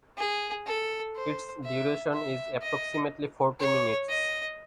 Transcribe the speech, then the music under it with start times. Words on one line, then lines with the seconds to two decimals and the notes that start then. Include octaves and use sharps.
Its duration is approximately forty minutes.
0.17 G#4
0.66 A4
1.16 C5
1.64 E5
2.13 E5
2.62 D#5
3.60 C#5
4.09 D#5